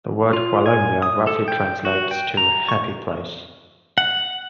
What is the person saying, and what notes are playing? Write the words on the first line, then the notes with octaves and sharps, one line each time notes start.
The word "Walyunga" roughly translates to "Happy Place".
F4
G#5
D#6
A4
G5
F#4
G5
A#5
C#6
F#5